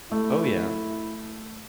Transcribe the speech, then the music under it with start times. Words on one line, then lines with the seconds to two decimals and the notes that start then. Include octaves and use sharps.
Oh yeah.
0.12 A3 E4